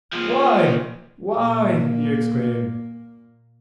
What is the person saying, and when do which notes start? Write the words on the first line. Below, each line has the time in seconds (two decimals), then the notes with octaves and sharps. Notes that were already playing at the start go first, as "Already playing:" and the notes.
"Why--why!" he exclaimed.
0.13 A#2 F3
1.34 A#2 A#3